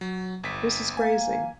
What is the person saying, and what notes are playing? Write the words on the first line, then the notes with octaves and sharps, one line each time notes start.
This is crazy.
F#3
G1 B6
A#3 G#5